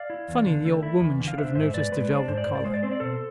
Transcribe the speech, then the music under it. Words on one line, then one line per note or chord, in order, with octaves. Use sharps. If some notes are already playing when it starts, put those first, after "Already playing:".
Funny the old woman should have noticed the velvet collar.
Already playing: D5 F5
E4
E2
D3
A3
E4
E2
D3
F5
D4 C5 E5
G#2 C5 E5
G#2 B4 D5
G#3 B4 D5
D4 C5
D5
G#2 C5
D5
G#2 C5
D5
G#3 C5
D5
C4 C5
D5
B2 A4 C5